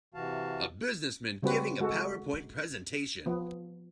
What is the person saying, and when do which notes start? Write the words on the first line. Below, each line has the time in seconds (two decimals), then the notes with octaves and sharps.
A businessman giving a powerpoint presentation.
0.14 C3 E3 F#4 F5 A5
1.43 C#3 G3 C4 F#4 B4
1.80 G#3 F#4 A4
3.26 F3 B3